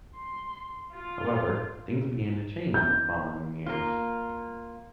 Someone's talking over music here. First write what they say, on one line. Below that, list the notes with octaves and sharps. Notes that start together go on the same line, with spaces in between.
However, things began to change in the following years.
C6
F4
G6
A#3 F4